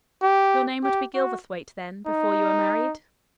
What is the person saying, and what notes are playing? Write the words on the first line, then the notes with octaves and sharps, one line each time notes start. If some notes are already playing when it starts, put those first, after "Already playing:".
"Your name would be Gilverthwaite, then, before you were married?"
G4
G4
F#4
D#4